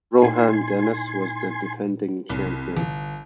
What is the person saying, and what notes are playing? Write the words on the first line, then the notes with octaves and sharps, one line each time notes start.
Rohan Dennis was the defending champion.
A#2 D#4 E4 G#5 C6
C2
G1